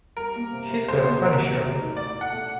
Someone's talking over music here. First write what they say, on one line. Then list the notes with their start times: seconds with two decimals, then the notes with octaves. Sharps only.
He's got a funny show.
0.17 G3 A#4
0.36 A#3
0.53 C3
0.71 C3
0.88 G3 C5
1.06 A#3
1.25 C3 A#4
1.43 F#4
1.61 A3
1.80 D#4
1.97 A2 D5
2.15 A2
2.21 F#5
2.33 A3